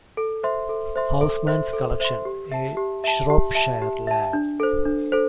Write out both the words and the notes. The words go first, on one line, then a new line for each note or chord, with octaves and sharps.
Housman's collection "A Shropshire Lad".
A4
C5 E5 C6
A4
C5 E5 C6
A4
C5 E5 C6
A4
C5 E5 C6
G4
E5 A5
G4
E5 A5
G4
E5 A5
G4
E5 A5
D4
A4 C5
D4
A4 C5